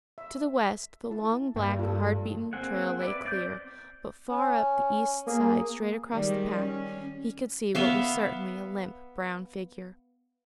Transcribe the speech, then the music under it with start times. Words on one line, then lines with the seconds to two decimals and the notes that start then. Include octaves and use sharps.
To the west, the long, black, hard-beaten trail lay clear; but far up the east side, straight across the path, he could see what was certainly a limp, brown figure.
0.18 E5
1.10 E4 A5
1.56 G2 A#3 G5
1.79 F4 A4
2.53 A#3 C4 G#4 F#5
3.01 E4 B4 D5
3.25 C4 D5 D6 G6
4.29 C#4
5.27 A#3 G#4
6.12 D#3 G3 G#3
6.55 C#4
7.75 B3 E5 F5